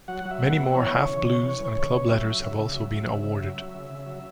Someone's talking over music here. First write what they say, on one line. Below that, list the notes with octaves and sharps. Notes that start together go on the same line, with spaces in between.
Many more half blues and club letters have also been awarded.
F#3 F#5
F#3
E5
B2 F#5
B2 E5
E3 C#5
E3
C#3
C#3
E3
E3
C#3
C#3
F#3 E5
F#3
C#3
C#3
F#3
F#3
C#3
C#3
F#3
F#3
C#3
C#3
F#3